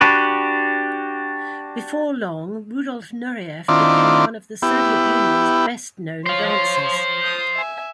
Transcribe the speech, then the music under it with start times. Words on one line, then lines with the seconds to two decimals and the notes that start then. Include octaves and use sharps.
Before long Rudolf Nureyev became one of the Soviet Union's best-known dancers.
0.01 D4 F#4 G4 B4
3.68 D#3 C4 D4 E4 F4 D5
4.62 B3 E4 G4
6.26 C5 C#5 F5 C6
7.20 D#6 G6
7.54 E5 G#5